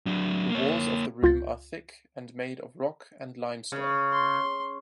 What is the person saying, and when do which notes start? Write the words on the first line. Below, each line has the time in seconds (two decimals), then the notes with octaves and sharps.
The walls of the room are thick and are made of rock and limestone.
0.06 F#3 D4
0.51 A#3 C#5
1.23 C#2 F4 F5 G6 A6
3.72 C#3
4.12 C6